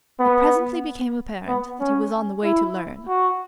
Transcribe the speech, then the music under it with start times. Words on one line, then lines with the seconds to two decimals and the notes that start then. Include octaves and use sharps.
It presently became apparent that he was on the way to learn.
0.20 B3
1.48 B3
1.80 C#4
2.44 E4
3.08 F#4